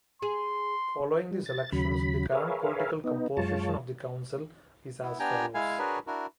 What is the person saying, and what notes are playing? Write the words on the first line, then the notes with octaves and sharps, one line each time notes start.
Following these elections the current political composition of the council is as follows.
G#4 C6
G3
A6
D#2 C#3 F#3 B5
G#4 A#4 B4 C#5 E5 F5
B3 D#4
F#2 G#3 F4 C#5 A5
B3 E4
B3 D4 G4 G5 G#5 A#5
G#3 E4 F5 G#5
D4 F#4 G#4 A#4 B4 C#5
D4 E4 F#4 A#4